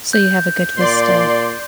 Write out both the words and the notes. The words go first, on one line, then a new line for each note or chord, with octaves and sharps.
So you have a good vista.
G6
A#2 D5 C6